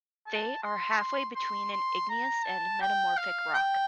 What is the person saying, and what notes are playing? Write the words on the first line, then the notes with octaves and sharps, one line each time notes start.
They are halfway between an igneous and metamorphic rock.
A5
C6
C6
C6
A#5
A5
G5
F5
G5